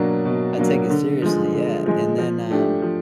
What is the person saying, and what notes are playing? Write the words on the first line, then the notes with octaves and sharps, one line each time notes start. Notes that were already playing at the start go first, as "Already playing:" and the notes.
I take it seriously, yeah, and then, um
Already playing: B2 F#3 A#3 D4
B2
F#3 A#3 D4
D3
F3 G#3
D3
F3 G#3
F3
A3 D4 G4
F3